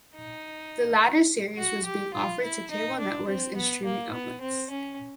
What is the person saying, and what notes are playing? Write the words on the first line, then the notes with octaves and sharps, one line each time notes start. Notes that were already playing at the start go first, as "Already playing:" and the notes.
The latter series was being offered to cable networks and streaming outlets.
D#4
F#4
G4
F4
E4
D#4
D4
C4
B3
A#3
B3
C4
C#4